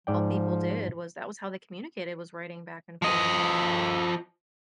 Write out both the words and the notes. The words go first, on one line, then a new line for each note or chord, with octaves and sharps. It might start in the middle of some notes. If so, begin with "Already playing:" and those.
all people did was that was how they communicated was writing back and forth and
G#2 F3 D5 G5
F3 D#5